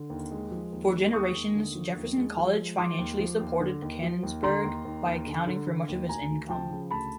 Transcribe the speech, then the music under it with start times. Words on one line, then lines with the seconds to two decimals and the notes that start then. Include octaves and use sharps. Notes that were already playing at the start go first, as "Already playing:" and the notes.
For generations, Jefferson College financially supported Canonsburg by accounting for much of its income.
Already playing: D3
0.10 D#2
0.31 G#3
0.51 F3
0.72 D#2
0.93 G#3
1.13 D#2 C#6 D#6
1.34 D#2
1.55 D3
1.75 F3
1.96 D#2
2.16 G#3
2.37 F3
2.57 G#3
2.78 F3 C6 D6
2.98 D#2
3.19 F3
3.40 D#2
3.60 D3
3.82 D#2
4.02 F3
4.23 D#2
4.43 D3 A#5 C6
4.64 D#2
4.85 D#2
5.06 D#2
5.26 D3
5.47 D3
5.67 D3
5.89 D#2
6.08 D2 G#5 A#5
6.29 D2
6.49 F3 G5 A5
6.70 C#3
6.91 D2 A5 B5